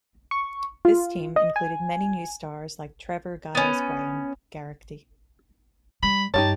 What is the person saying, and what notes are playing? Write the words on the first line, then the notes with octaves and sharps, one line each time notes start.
This team included many new stars like Trevor Giles Graham Geraghty.
C#6
F4
D#5
G#5
B3 C#4
G3 B5
G2 D#4 G4 C#5 A5